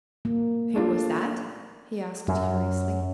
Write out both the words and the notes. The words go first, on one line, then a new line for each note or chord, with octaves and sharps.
"Who was that?" he asked curiously.
A#3
A3 D4 F4
F#2